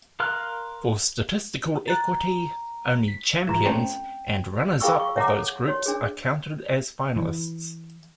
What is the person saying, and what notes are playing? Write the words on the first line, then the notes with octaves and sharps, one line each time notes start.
For statistical equity, only champions and runners-up of those groups are counted as finalists.
A#4 F5 C6 F6 F#6
A#5 F#6 A6
B6
G#2 E3 F4 A#5 E7
A3 C4 C#4 G5
F4 G#4 F5 G5 C#6 E6
C#6
C#5 E5 F#5 G#5 A#5 D6
A4
F#4 C#5
D4 G#4
E3